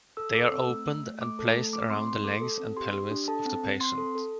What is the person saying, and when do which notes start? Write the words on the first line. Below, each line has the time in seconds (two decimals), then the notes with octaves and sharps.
They are opened and placed around the legs and pelvis of the patient.
0.17 A4 E6
0.35 A4 D6
0.51 C4 E6
0.69 A3
0.87 A3
1.04 A3
1.21 A3 D6
1.39 A4
1.55 A3
1.73 A3 D6
1.90 C4 C6
2.07 A3 C6
2.24 A4 D6
2.42 A4
2.59 C4
2.77 G4 C6
2.94 G4
3.11 D4
3.28 A4 A5
3.45 C4
3.63 C4
3.80 C4 C6
3.98 A4
4.15 A4